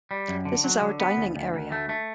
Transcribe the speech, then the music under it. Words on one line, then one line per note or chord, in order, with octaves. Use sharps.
This is our dining area.
G3
F#2
D3
F#3
D3
B3
D2
D2
D2
A3
A3